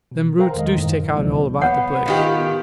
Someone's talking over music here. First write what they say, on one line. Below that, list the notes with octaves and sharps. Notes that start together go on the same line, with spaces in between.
Them roots do stick out all about the place.
B2
A4 A#4 C5 F5 G5 A#5
E2 D#3 G#3 D#5
F#2 A2 D#3
E3 G#3
D2 A2 C3 F3 G3 A#3
B3 C#5 F#5
A2 D#3 F4 G4